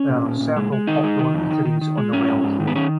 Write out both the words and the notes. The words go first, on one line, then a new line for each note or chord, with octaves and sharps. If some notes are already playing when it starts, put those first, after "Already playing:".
There are a several popular eateries on the Wells Road.
Already playing: C#4
A#2
A#2
A#2
G#3
G#3
D#3 D#4
G#3
D#3
F2
D#3
D#3
D#3
G#3
G#2 C#4
G#2
G#2
D#3
B3
D#3 C#4